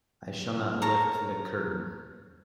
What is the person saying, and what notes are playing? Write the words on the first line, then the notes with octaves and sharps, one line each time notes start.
I shall not lift the curtain'.
A#4 C#5 A5 A#5